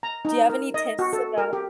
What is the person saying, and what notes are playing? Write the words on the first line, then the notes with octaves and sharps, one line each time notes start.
do you have any tips about
A#5
D#4
A#4
D#5
F#4
A4
A#4
G4